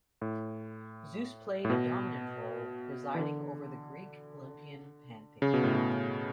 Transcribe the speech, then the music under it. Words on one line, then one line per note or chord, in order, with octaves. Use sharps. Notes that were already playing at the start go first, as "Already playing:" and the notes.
Zeus played a dominant role, presiding over the Greek Olympian pantheon.
A2
A2
B2
E3
D3
C#3
B2
A2
B2